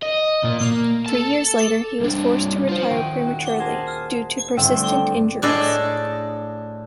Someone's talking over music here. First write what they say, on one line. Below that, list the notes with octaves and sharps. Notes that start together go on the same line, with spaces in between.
Three years later, he was forced to retire prematurely, due to persistent injuries.
D#5
A#2 A#3
A#3
A4 A5
C2 D4
F4 C5
D#1 G5 C#6 D7 D#7
F#4
G#4 A#4 C5 G#5 A5
G1 C4 D4 E5 G5
A3
A2 D4 G#4 A4 D#5